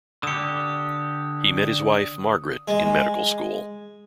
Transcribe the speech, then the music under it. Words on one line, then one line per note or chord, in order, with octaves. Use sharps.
He met his wife, Margaret, in medical school.
D3 G4 D#6 C#7
G#3